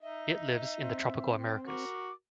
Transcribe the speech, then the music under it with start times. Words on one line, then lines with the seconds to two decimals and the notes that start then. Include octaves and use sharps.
It lives in the tropical Americas.
0.02 D#4 D#5 E5
0.81 C4
1.41 G5
1.67 F#4 A#4 D6